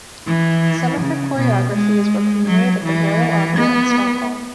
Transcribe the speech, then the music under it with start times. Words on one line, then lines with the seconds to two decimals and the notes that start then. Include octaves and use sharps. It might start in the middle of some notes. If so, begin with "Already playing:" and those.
Some of her choreographies were premiered at the Royal Opera in Stockholm.
0.28 E3
1.01 C#3
1.38 B2
1.74 G#3
2.47 F#3
2.85 E3
3.58 B3